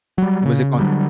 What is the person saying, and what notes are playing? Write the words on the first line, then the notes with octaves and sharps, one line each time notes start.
Was it called?
F#3 G3
C#3
D3 D#3 F#3 G3